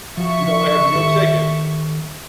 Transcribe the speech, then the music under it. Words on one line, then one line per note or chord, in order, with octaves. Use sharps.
you don't have in you're checking,
F3 F#4 E5 C#6
D#3 G4 A4